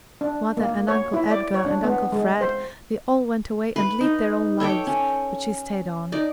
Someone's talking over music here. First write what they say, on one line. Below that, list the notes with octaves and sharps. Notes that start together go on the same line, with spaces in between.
Mother and Uncle Edgar and Uncle Fred--they all went away and lived their own lives, but she stayed on.
D4
A#3
C#5
E4
D5
C#5
D4
B3
G#3
C5
B4
D#4
A4 C#5 G5 D6
C#4
D#4 D5